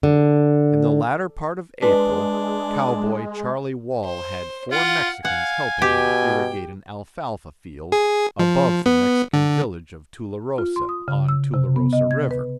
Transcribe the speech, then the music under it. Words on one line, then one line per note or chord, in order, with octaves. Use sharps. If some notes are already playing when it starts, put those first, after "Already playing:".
In the latter part of April, Cowboy Charlie Wall had four Mexicans helping him irrigate an alfalfa field, above the Mexican village of Tularosa, on Tularosa river.
D3
G#3 D4 B4
C5
F4 F5 F#5
F5 F#5 G#5
B2 G4 G5
G#4
F3
B3
D3
F4
C6
D#6
C#3
E6
C3
B3
D#5
G#6
B4